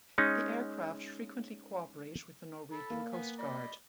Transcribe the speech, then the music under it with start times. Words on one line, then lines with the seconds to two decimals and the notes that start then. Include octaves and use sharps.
The aircraft frequently cooperate with the Norwegian Coast Guard.
0.18 G#3 C#4 D#4
2.72 A4 B5
2.90 A#3
3.13 B3 G#5
3.38 D5 D#5 B5